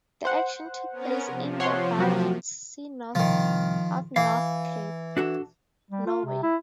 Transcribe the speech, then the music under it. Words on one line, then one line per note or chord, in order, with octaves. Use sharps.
The action took place in the Barents Sea north of North Cape, Norway.
C5 F#5
B3 C#4 A#4
C3 F3
C#5 F#5 C6
F#3 F#4 G4
C2 D#3 F3
E3 F5
D4 F#4 A4
G3
F4
C3
E4